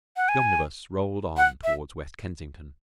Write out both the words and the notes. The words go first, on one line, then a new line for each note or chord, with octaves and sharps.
The omnibus rolled on towards West Kensington.
F#5
G#5
F#5
E5